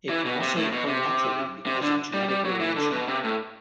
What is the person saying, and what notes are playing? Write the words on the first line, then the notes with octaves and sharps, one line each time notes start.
It can also occur naturally because of genetic variation.
E3
B2
C3
A2
B2
C3
C3
D3
G3
G3
F#3
E3
D3
B2
C3
A2